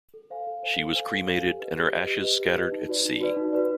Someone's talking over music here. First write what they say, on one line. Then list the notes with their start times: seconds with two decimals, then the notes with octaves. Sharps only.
She was cremated and her ashes scattered at sea.
0.14 A4
0.30 C5 F5 G#5
0.47 A4
0.63 C5 F5 G#5
0.79 A4
0.95 C5 F5 G#5
1.11 A4
1.27 C5 F5 G#5
1.43 G4
1.60 B4 D#5
1.75 G4
1.92 B4 D#5
2.07 G4
2.24 B4 D#5
2.40 G4
2.56 B4 D#5
2.72 D#4
2.89 F#4 B4 D5
3.05 D#4
3.21 F#4 B4 D5
3.37 D#4
3.53 F#4 B4 D5